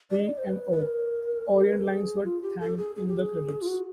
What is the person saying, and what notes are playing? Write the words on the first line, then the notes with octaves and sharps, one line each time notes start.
P and O - Orient Lines were thanked in the credits.
D5
D#5
D5
C5
B4
B4
A#4
A4
A#4
B4
A4
G#4
F4
G4
A4
G#4
G#4
G4
G#4
F4
F#4